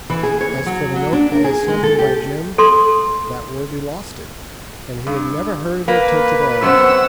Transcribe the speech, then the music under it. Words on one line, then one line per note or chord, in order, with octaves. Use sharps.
As for the note I had sent him by Jim, that worthy lost it, and he had never heard of it till to-day.
E3
G#4
C#5
F#3
F#3
D4
A#4
G#4
G#3
A4
G4
A4 C6
G2
A#3 B4
F#2 B3 C4 C#5 F#5 E6